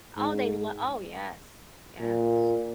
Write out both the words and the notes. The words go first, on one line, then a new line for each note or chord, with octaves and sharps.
Oh, they lo Oh, yes. Yes.
G#2
A#2